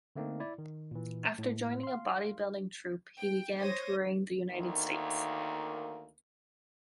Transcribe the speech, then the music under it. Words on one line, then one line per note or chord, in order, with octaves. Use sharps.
After joining a bodybuilding troupe, he began touring the United States.
D3 A3 A#3 C4 D#4
E4 D5
D#3
A#2 E3
A2
F5 C6
G5
C5 C#5 D#6 A#6
D2 D#3 A#3